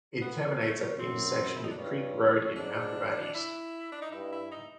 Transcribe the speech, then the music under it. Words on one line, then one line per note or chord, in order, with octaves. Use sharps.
It terminates at the intersection with Creek Road in Mount Gravatt East.
F2 B3
A#3
A3
C#4
F#2 C4
E4
D#4
D4
G2 C#4
G#2 D4
E4
D4
D#4
G2 E4
E4
D#4